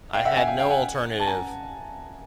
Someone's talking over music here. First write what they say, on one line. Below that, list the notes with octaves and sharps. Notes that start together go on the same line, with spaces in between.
I had no alternative.
F5 G5
E5 F#5
F#5 G#5
F5 G5
F5 G5
F#5 G#5
A5
G#5 A#5